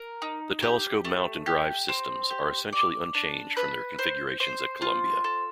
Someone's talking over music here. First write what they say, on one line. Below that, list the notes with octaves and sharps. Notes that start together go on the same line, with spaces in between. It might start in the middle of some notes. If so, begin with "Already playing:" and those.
The telescope mount and drive systems are essentially unchanged from their configurations at Columbia.
Already playing: A#4
D#4
G4
A3
G4
C4
G4
D5
D4
B4
C5
C5
F4
A4